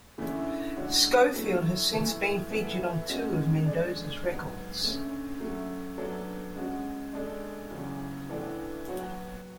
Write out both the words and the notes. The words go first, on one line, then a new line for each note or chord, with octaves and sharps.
Scofield has since been featured on two of Mendoza's records.
E2 D3 A3 C#4 E4
D3 G#3 D4 F#4 C#5
F#3 A3 E4
E3 A3 E4
E3 B3 E4 A4
G#3 C#4 F#4
G#3 D4 A4 D5
G#2 F#3 B3
D3 A3 C#4
F#3 A3 C#4
F#3 B3 D4 A4 C#5
G#3 C#4 F#4
G#3 D4 A4 D5
E2 C#3 F#3 C#4
A2 E3 B3 D4 A4
F#3 B3 F#4 C#5